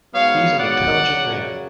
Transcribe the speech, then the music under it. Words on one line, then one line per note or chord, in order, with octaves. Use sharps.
He's an intelligent man.
G#2 F#3 B3 C#5 F5
D5 F#5
F#2 C#3 F#3